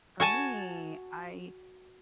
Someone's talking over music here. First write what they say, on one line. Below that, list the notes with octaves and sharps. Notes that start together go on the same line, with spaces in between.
for me, I
F#4 G#5 A5